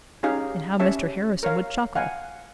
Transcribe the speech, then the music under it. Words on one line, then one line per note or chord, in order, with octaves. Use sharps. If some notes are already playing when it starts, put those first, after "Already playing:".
And how Mr. Harrison would chuckle!
C#4 D#4 G4 G#4 F5
C#4 G4 C#5 E5 A5
A#4 C#5 F5
F5 F#5 G#5